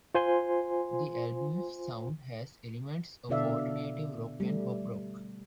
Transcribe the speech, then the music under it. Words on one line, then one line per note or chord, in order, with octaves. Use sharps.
The album's sound has elements of alternative rock and pop rock.
F4 C5 G#5 C6
B2 D3 A4 D5 E5 F5
G3 A3